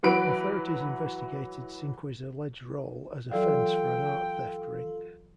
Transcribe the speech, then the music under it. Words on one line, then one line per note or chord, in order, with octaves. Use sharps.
Authorities investigated Cinque's alleged role as a fence for an art theft ring.
E3 F#3 B4 D7
E3 F#3 F4 A4 D5 F5 G5